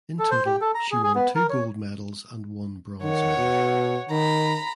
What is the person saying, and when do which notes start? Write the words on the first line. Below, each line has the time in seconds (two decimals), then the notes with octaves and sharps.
In total she won two gold medals and one bronze medal.
0.19 A4
0.31 C5
0.46 G4
0.61 A4
0.75 A#5
0.91 G#4
1.03 G#4
1.15 B3
1.35 A#4
1.50 C#5
3.02 D#3 C#5 F#5
3.37 B2
4.09 D#3 A#5 B5